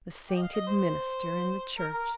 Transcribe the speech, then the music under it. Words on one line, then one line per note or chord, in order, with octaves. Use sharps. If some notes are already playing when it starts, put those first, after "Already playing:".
The sainted minister in the church!
G4
D#5
F5
D#5
C5
A#4
A#4